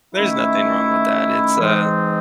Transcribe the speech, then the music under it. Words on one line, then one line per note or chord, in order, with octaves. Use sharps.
there's nothing wrong with that. It's, uh,
D#3 A3 C#4 E4
G#2 E3 G#3 C4 D#4